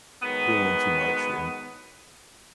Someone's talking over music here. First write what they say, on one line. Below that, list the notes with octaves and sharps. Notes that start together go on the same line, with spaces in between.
doing too much, and
D#3 F#3 G#3 B3